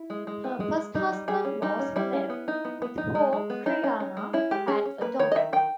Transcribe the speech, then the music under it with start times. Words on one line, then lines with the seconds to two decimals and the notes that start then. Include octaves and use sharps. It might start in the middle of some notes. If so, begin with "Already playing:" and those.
Her first husband was Lev, with whom Triana had a daughter.
Already playing: E4
0.10 G#3
0.27 G#3
0.44 B3
0.60 G#3
0.78 G#3
0.95 G3 D#4
1.12 G3
1.28 G3 G#4
1.45 C#4
1.62 G3 D#4
1.79 C#4
1.96 G3 E4
2.13 C#4
2.30 B3
2.48 D#4
2.65 B3
2.82 B3
2.98 D#4
3.15 G#3
3.33 G#3
3.50 B3
3.66 C#4 D#4
3.84 C#4
4.00 C#4
4.17 G#3
4.33 C#4 E4
4.51 G#3 G4
4.67 C#4 G#4
4.85 C#4
5.01 A#3 B4
5.19 D#3 C#5
5.32 D#5
5.35 D#3 E5
5.53 D#3 G5